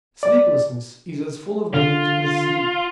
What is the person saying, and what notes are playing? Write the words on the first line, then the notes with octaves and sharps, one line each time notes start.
Sleeplessness is as full of dreams as sleep.
D5
D3 F4